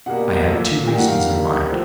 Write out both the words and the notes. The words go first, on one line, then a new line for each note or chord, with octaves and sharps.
I had two reasons in mind.
B2 G3 A#3 F#5
A#2 F#3 A3
D#3 G3 A#3 G5
F#5
F5
F#5
D3 G3 A#3
A2 F3 A3